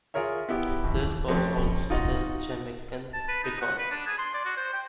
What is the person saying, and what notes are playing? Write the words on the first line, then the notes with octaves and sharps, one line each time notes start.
This was also the Jamaican record.
F4 G#4 A#4 C#5 E5
B3 E4 G4
D#2 E3
F2 A3 C#4 G4
D#4 F4 F#4 D#5
A5
B4
D#4
F#5
B4
D4
G#4
C6
D5
F#4
C5
G5